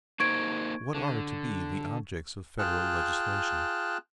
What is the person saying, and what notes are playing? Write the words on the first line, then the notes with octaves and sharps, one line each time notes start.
What are to be the objects of federal legislation?
A#3 D#4 C5 C#6 G#6 D7
D3
F4 G#4 G5 A5 F6 F#6